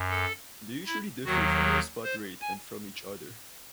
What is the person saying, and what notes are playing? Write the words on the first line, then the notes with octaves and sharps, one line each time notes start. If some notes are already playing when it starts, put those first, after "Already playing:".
They usually differ from the spot rate and from each other.
Already playing: F#2
A4
E4
D#2 D#3 F#3 F#4
G#4
C5
G#5